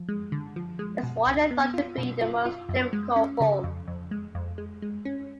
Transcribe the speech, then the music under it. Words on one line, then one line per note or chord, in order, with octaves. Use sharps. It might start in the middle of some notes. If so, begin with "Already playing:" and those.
That's widely thought to be the most difficult form.
Already playing: F3
G#3
D3
F3
G#3
B2
C#2
B3
F4
B2
F4
F4
F#2
G#3
C#4
C#3
F2
F2
G#3
F2
G#3
G#3
C#4